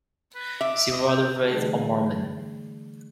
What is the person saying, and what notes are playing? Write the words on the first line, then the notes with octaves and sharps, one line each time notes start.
She was raised a Mormon.
B4
E5 D6
D#5
G5
D3 E3 G3 A3 D#4 G#4